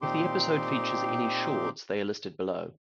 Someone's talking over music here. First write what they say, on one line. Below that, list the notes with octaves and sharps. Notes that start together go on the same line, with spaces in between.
If the episode features any shorts, they are listed below.
A#2 C4 D#4 G4 C6 D6